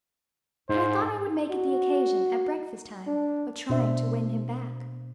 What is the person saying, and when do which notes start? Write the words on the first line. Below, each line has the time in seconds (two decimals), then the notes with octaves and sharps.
But I thought I would make it the occasion, at breakfast-time, of trying to win him back.
0.69 G#2 C5
1.51 F#4
3.07 D4
3.70 B2 D4 C5 E5